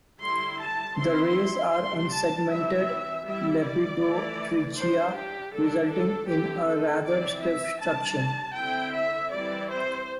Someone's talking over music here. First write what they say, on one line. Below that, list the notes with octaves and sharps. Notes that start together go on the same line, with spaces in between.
The rays are unsegmented lepidotrichia, resulting in a rather stiff structure.
D3 G3 E4 C6
A5
E3 C4 E4 C6
G3 D4 C6
A5
E3 G3 C4 E4 E5
G3 E4 E5
D5
E3 A3 E4
G3 D4 C5
G4
D3 G3 D4 A4
A4
D3 C4 E4 G4
A4
E3 C4 E4 D5
E5
G3 D4 A5
D3 C4 E4 G5
E5
E3 G3 C4 E4 D5
C5